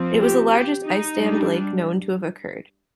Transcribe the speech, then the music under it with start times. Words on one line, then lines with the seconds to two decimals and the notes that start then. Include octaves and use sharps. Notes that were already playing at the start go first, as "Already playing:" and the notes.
It was the largest ice-dammed lake known to have occurred.
Already playing: F3 C4
0.22 G4
0.54 G4
0.86 D#4
1.18 G3 D4